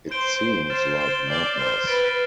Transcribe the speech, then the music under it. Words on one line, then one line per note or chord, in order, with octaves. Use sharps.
It seems like madness!
C5 G6 D7 G7
G6 D7 G7
C5 F6 A6 E7 G7
F6 A6 E7 G7
D5 F6 C7 G7
C5 F6 C7 G7
B4 A6 D7 G7